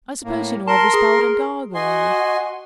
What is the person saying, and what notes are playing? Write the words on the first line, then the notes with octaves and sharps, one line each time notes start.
"I suppose you know every spout and gargoyle!"
A2 A#3
A#4 A5 C6
G#4
F#4 D#5 G#5 C6